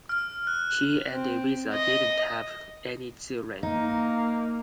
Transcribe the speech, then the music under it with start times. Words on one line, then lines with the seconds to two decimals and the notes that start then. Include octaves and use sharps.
He and Eliza did not have any children.
0.09 F6
0.47 F#6
1.11 C4
1.74 D#5
3.63 A#3 D#4